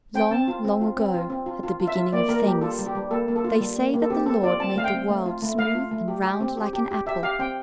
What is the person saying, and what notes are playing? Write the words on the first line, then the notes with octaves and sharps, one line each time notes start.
Long, long ago, at the beginning of things, they say that the Lord made the world smooth and round like an apple.
C4 G5
C4 A5
F4
C4
F4
C4
F4
C4
F4
F4
F4
E5
F4
A#3 D5
A#3 A#4
G3 G4
F4 A4
G3
G4
G3
A#3 A4
A#3
A4
F4
G3
A#3
A#3
A4
C4 G4
C4 A4
F4 D5
C4 A5
A3 F5
G5
C4
A3
F4
A3
A3 F5
F4
A3
G4
G4
C4
G4
G4
G4
G4 E5
G4 F5
C4 G5